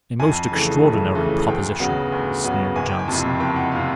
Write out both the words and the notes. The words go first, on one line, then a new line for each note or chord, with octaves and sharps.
"A most extraordinary proposition," sneered Johnson.
F2 G#5
C#3 E3 A3
F2
C#3 E3 A3
D2 G5
C#3 F#3 B3
D2
C#3 F#3 B3
F#1 G#5
G5
G#5
F2 C3 A5
F#1 G5
F#5
F5
C3